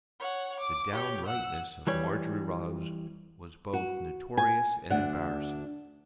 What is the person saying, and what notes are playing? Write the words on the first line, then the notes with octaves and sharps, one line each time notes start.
The downrightness of Marjorie Rogers was both notorious and embarrassing.
C#5 F#5
D6
G4 C#5
F#5 E6
E3 G3 C#5
F#4
G#5
D2 D4 F#5